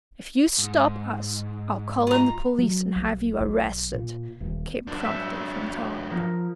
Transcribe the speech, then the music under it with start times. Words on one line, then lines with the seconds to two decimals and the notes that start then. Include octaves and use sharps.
"If you stop us, I'll call in the police and have you arrested," came promptly from Tom.
0.58 G#2
2.07 F4 A#5
2.58 F#3
2.96 B1
3.40 B1
3.94 A#2
4.40 D#1
4.87 F#2 D4
5.05 E5
6.11 F3 A#4